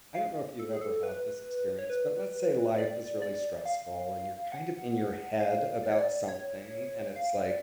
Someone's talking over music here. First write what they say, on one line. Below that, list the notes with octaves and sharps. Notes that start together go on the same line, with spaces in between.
I don't know if you've ever had this experience, but let's say life is really stressful, and you're, kind of, in your head about something, and it's, like,
F5
A4
G#4
A4
B4
C#5
B4
D5
D5
F5
F#5
F5
D5
C#5
D5
C#5
F5
D5